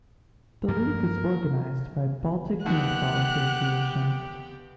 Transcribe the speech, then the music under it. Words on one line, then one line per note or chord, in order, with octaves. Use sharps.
The league is organized by Baltic Handball Association.
G2 F3 A#3 A#4
D#2 B3 G4 F#5 F#6